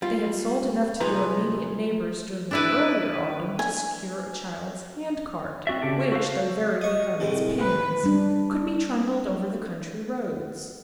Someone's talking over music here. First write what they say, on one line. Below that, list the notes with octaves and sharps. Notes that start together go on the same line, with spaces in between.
They had sold enough to their immediate neighbors during the earlier autumn to secure a child's handcart, which, though very weak on its pins, could be trundled over the country roads.
G3 F4
C2 F3 G#3 D#4 B4 A#5
D4 E4 B4
G#5
C4 F#4 D5 E5
C#3 G4 A4 D5
F#4 A4 C5 F5
D#5 C#6
C2 A2 G#3
B4
G3 D4